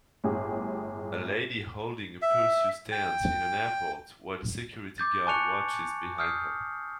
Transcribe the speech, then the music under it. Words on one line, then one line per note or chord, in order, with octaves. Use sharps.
A lady holding a purse stands in an airport while a security guard watches behind her.
G1 A2 G4 G#4
E5
G5
D6 G6 A6
G#5 A5 C#6 F#6 C#7 F7
D#6 F6 G6 C7